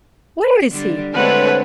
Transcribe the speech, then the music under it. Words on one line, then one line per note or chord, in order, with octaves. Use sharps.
Where is he?
D3 G3 D4
D3 G#3 A3 C4 A4 B4 C#5 F#5